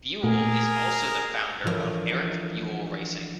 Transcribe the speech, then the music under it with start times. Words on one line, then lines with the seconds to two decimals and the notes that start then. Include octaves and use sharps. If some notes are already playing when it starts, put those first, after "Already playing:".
Buell is also the founder of Erik Buell Racing.
0.24 A#2 A3 G#4 A#4
1.64 D3 E3 F3 B3 A#4 C#5